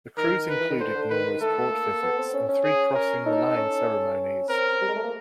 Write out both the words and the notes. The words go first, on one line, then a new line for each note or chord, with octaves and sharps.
The cruise included numerous port visits and three crossing the line ceremonies.
D#3 A#4
B4
E3
D#3
D3 C5
D3
D#3 B4
D#3
A3 A4
A#3
B3
C4
C#4
C#4
G#4
A#4
D#4 A4
C#4
C4 A#4
G3
G#3
A3
A#3